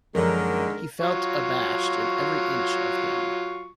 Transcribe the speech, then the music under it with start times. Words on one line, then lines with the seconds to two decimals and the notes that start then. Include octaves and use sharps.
He felt abashed in every inch of him.
0.15 F#2 D3 D#3 F3 G#3 A#4
1.01 F#3 F4 C#6